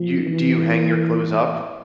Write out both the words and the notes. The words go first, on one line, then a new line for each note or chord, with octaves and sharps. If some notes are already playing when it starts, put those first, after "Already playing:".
you do you hang your clothes up?
Already playing: F3
E3